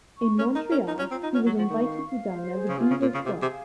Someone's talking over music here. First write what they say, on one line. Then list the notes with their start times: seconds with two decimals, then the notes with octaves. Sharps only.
In Montreal, he was invited to dine at the Beaver Club.
0.16 C#6
0.39 C#4 A#4
0.55 D#4
0.63 A#5
0.71 C#4
0.87 D#4 F4
0.99 C#4
1.11 C4 F4
1.23 D#4
1.35 C#4 F#5
1.46 F#3
1.59 F3 C#6
1.70 D#3
1.82 F5
2.07 F5
2.30 C5
2.55 G#4
2.69 C#3
2.77 C3 F4
2.90 C#3
3.02 A#2 F4
3.14 C#3
3.26 C3 G#4
3.42 C3
3.49 F5